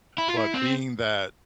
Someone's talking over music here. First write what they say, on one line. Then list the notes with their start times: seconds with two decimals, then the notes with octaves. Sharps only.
but being that
0.18 E4
0.28 F4
0.37 E4
0.54 C4